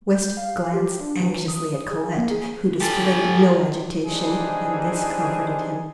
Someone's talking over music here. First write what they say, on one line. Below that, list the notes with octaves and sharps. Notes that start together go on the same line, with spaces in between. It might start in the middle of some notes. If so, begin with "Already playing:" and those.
West glanced anxiously at Colette, who displayed no agitation, and this comforted him.
G6
F5
G4
D4
E3
D#6
G#4
A#3
G#4
G4 A4
C3 E3 D4 D#4 G#4